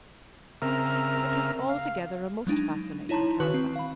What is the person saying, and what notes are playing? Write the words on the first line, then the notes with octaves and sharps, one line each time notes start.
It was altogether a most fascinating caravan.
C#3 C4 A#4 E5 A#5 F6
F5
F#3 G#3 D4 D#4
D#4 E4 C#5 A5 A#5 C6
D#3 F#4 B4 C#6 F#6
C4
F5 B5